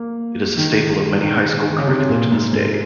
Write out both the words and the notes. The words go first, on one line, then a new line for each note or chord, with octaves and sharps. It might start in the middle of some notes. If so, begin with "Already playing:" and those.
It is a staple of many high-school curricula to this day.
Already playing: A#3
D#3
D#3
D#3
C#3
C3
A#2
G#2
G#2